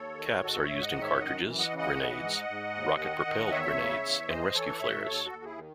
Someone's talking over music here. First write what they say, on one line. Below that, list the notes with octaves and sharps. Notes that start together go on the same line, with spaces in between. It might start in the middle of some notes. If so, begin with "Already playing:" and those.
Caps are used in cartridges, grenades, rocket-propelled grenades, and rescue flares.
Already playing: D#2 A4 C#5
D#3
G#2 F#4 A4
C#5 E5
G#2
D#5 F#5
D#3
C#5 E5
F#2 D#5 F#5
E3
D#5 F#5
C#3
D#5 F#5
E3
G#2
G#2
D#2
D#3
D#3
E2 C#5 E5
C#3
E2
E3 C5 D#5
E3 A4 C#5
G#2 C#5 E5
D#2 A4 C#5
F#4 A4
D#2
F#4
E4 G#4
D#3